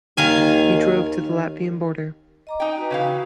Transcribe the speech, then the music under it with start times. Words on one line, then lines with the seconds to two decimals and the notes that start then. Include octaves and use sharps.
He drove to the Latvian border.
0.17 D#2 D#3 F5 G#5
2.47 D#5 A#5 D6
2.60 D#4 G5 G#5
2.77 F#4 B4
2.91 C#3 E3 F5